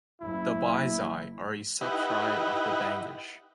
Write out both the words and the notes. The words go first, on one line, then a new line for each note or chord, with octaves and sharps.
The Baizai are a sub-tribe of the Bangash.
F#1 E4
D#4 E4 G4 B4 F#5